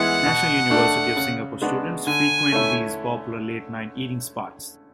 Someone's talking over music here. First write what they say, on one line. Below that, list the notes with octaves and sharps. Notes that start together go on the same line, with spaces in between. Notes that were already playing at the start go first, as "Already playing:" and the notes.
National University of Singapore students frequent these popular late-night eating spots.
Already playing: E3 G#3 B3 E4 F#5
B2
A3 D4
C#3
G#3 B3 D4 F#4
D3 G#5
A3 C#4 E4